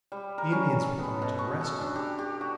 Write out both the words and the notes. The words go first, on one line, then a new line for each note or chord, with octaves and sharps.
The Indians were coming to the rescue!
G3
A#4
C#4
A4
B3
B2
C#6
A4
D4
G4
G4
F#4